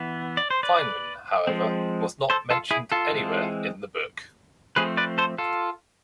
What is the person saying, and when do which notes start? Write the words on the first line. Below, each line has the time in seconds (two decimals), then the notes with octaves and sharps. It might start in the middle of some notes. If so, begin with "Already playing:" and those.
Feinman, however, was not mentioned anywhere in the book.
Already playing: E3 B3
0.37 D5
0.50 C5
0.63 B4 D5
1.47 F3 G#3 C4
2.30 A4 C5
2.50 F4 A4
2.71 E4 G#4
2.92 F4 A4
3.12 E3 G#3 C4
4.76 F3 A3 C4 G#4 B4
4.97 B4 D5
5.18 A4 C5
5.38 F4 A4